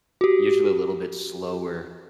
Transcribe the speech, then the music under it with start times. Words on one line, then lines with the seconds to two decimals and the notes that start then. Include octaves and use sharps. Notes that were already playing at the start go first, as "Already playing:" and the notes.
Usually a little bit slower,
0.21 F#4 G4